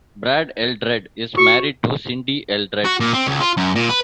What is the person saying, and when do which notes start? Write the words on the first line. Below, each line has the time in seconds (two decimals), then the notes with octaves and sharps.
Brad Eldred is married to Cindy Eldred.
1.37 F#4 C#6
2.85 F#4
3.00 A#2
3.13 C4
3.27 C#2
3.41 F4
3.57 F#2
3.75 A#2
3.89 B4